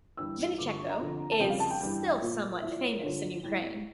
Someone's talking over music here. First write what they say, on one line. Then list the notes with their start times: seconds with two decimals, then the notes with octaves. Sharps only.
Vynnychenko is still somewhat famous in Ukraine.
0.17 G2 E3 G3 E6
0.58 G2 D3 F3 D6
0.69 C#6
0.79 C#6
0.90 A#5
0.99 F2 D3 F3
1.31 A5
1.40 F2 C#3 G3 G5
1.50 F5
1.60 A5
1.70 G5
1.81 G2 E3 G3
2.21 A#2 F3
2.62 A2 F3 E5
2.71 D5
2.83 C#5
2.92 A#4
3.02 G2 D3 F3 C#5
3.43 A2 G3